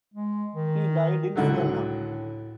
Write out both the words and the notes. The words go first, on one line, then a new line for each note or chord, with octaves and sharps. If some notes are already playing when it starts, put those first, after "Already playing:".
He died in Siena.
G#3
D#3
C#2 A2 D3 F#3